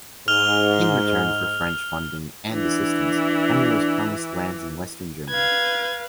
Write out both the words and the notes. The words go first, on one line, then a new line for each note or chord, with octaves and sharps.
In return for French funding and assistance, Henry was promised lands in western Germany.
G#2 F6 F7 G7
E3 D4
B4 F5 G#6